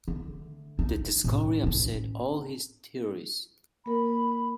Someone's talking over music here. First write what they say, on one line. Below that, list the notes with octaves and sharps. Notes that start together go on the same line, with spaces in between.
The discovery upset all his theories.
D3 A3
D#4
A2
A1 C#4
A#3 A#4 B5